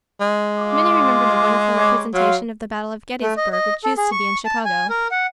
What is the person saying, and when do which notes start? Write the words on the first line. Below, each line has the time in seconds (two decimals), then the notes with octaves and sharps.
Many remember the wonderful representation of the Battle of Gettysburg which used to be in Chicago.
0.21 G#3
0.59 F4 D6
1.73 G3 C#5 D6
2.14 F#3 F5 C6
3.21 A3
3.37 D#5
3.53 D#5
3.84 A4
3.97 G#4
4.12 C#6
4.45 A5
4.65 G#5
4.90 A#4
5.11 F#5